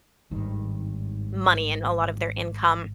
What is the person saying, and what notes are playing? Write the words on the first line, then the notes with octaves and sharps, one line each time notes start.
money and a lot of their income.
G#1 G2 D#3